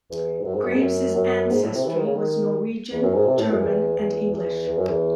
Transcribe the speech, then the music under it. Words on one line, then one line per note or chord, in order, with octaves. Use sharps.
Graves' ancestry was Norwegian, German, and English.
E2
G#2
F#2
G#2
F#2
G#2
F#2
F#2
G#2
A2
C3
E3
D#3
C#3
D#3
E2
F#2
G#2
C3
A2
F#2
E2
E2
E2
E2
F#2
E2